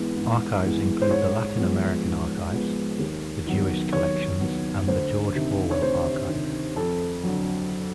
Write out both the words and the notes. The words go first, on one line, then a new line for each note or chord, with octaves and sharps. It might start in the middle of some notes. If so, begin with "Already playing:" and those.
Archives include the Latin American archives, the Jewish collections and the George Orwell Archive.
Already playing: G#2 E3 G#3 B3
G#2
E3 G#3 B3
C5
G#2 C#5
F3 G#3 B3
G#2
F3 G#3 B3
D#2
D#3 F#3 B3
D#2 C#5
D#3 F#3 B3
D2 C5
C3 D#3
C#5
D2 C5
C3 D#3
F2 A4
D3 F#3